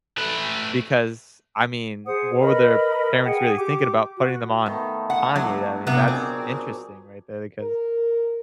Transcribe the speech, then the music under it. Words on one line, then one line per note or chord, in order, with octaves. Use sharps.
because, I mean, what were their parents really thinking about putting them on Kanye, I mean, that's interesting right there because,
A3 B4
G#4 C5 F#5 D#6
A#4 B4 D#5 B5
G#4 F#5 G5
G4 D6
F#4
D#3 A3 B3
F#5
A2 F#3 D4
C3 A#3 B3
A#2 F#3 C4 G#4
A#4